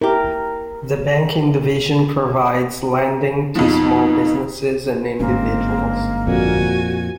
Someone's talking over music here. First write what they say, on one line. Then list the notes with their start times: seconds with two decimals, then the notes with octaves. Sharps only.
The Banking division provides lending to small businesses and individuals.
0.01 E4 G4 A#4
3.55 F2 B2 F3 D#4
5.20 G1 G#2 A#3 C4 C#4
6.27 F2 A#2 F#4 G#5